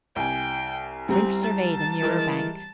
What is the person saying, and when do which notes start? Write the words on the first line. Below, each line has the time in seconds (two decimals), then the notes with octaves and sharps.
Rynch surveyed the nearer bank.
0.16 C2 G5 G#5
1.09 G3 C4 A#5
1.44 A5
2.03 E3 G#3 A#4